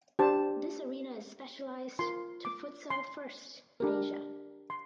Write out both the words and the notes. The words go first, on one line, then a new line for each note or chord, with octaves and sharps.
This arena is specialized to futsal first in Asia.
D4 G4 C5 A5
F4 A#4 C6
D6
C6
D4 G4 A#4
C6